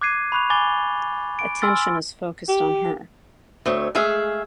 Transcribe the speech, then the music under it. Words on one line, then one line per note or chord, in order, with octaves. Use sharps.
Attention is focused on her.
D6 F#6 G#6 C7 D#7
B5 C#6 F#6 F7
G#5 B5 D6 A6 G7
D7
G#5 C6 E6 F6 A6
G4
D2 A3 C4 C#5
G#3 A3 G#4 E5 F5